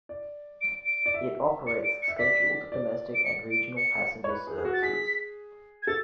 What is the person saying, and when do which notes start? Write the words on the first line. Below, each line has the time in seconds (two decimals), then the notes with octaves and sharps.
It operates scheduled domestic and regional passenger services.
0.09 D5
0.61 D7
0.86 D7
1.06 D5
1.14 E5
1.67 D5 C#7
1.84 D7
2.02 C#7
2.08 E5
2.19 D5 B6
2.72 D5
3.15 D7
3.25 C#7
3.51 D7
3.77 C#7
4.24 C#5
4.29 B4
4.47 G#4
4.58 G#4
4.65 F#4
4.74 A6
4.82 G#4 B6
5.83 G#6
5.87 A4 A6